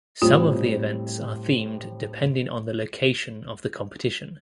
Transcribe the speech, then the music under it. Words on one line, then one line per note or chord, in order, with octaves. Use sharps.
Some of the events are themed depending on the location of the competition.
A2 G3 C4 F4